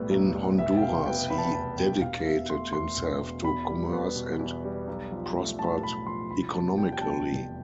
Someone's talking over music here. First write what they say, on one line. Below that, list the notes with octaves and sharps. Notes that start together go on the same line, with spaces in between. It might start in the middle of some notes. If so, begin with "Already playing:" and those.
In Honduras he dedicated himself to commerce and prospered economically.
Already playing: B1 A2 G3 B3 A4 B4
B1
G3
F1 E5
G5
B2 F5
B3 G5
E2 B5
A5
B5
F1 A5
B2 G5
E1 F5
B2 E5
A3 C6
E2 C6
E1
B2
E2 B5
G3
B3
B2
E2
G3
B1
F3
A3
A2 A5
B1 B5
F3 C6
F1 B5
B2 A5
G3 G5
G5
E2 A5
F1